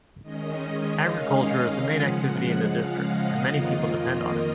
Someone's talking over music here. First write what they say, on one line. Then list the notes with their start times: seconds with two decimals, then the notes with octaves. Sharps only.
Agriculture is the main activity in the district and many people depend on it.
0.22 D#3 G#3 C#4 D#5
1.02 F5
1.83 C#3 F3 G#3 F#5
2.64 F5
3.04 D#5
3.45 F2 D#3 A#3 F4